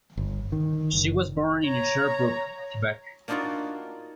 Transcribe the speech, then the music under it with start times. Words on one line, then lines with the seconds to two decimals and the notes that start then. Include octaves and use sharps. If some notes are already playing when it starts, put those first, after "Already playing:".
She was born in Sherbrooke, Quebec.
0.17 G1
0.52 D#3
0.93 F#1
1.64 C#5 A#5
3.28 A#3 D4 D#4 F4 F#4 D5